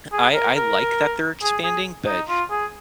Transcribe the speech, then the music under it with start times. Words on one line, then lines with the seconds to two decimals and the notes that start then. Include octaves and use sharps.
I I like that they're expanding, but
0.12 G#4
0.34 A#4
0.56 A#4
1.42 G#4
1.64 G#4
2.07 D#4
2.28 F4
2.50 G#4